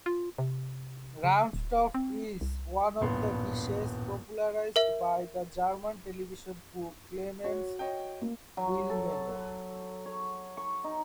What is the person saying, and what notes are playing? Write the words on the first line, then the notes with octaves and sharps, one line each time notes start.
Rumtopf is one of the dishes popularised by the German television cook Clemens Wilmenrod.
F4
C3
C#3
D1
C4
C2
D#1 A1 G2 B3 C6
A#4 E5
F#4 C#5
C#5 D#5 G5
A#3
F#3
A4
C#5
C#6
D#4